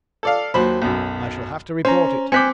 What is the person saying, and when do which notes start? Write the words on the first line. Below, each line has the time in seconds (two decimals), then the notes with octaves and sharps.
"I shall have to report it."
0.23 A4 D5 F5
0.54 D#2 F#3 C5 B5
0.82 B1 F#2
1.85 C#4 C5 A#5
2.32 C4 G#5 D6 F#6 G6 B6 C#7